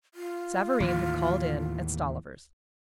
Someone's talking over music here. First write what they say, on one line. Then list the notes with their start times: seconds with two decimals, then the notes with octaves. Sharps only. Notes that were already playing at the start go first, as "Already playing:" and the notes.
Savareen had called in at Stollivers.
0.14 F4
0.80 D#2 A2 E3